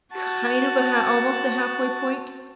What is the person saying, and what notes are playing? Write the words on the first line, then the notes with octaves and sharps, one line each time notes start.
kind of a ha almost a halfway point.
F#4 A5